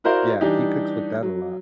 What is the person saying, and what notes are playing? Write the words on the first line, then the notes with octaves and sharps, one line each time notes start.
yeah, he cooks with that a lot.
E4 F#4 A#4 C5 D5 F5
E3 G3 D4 D#4 G4
F#3